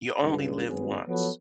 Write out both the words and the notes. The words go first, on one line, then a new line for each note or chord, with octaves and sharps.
"You only live once,"
C#2 G2
G#1 G#2 F#3 B3 C#4 G#4
F3 F#3 B3 A4 B4 C#5